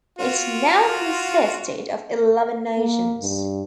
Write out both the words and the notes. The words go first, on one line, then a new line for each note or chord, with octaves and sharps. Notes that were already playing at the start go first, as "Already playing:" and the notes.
It now consisted of eleven nations.
F4 F#4
A#3
G2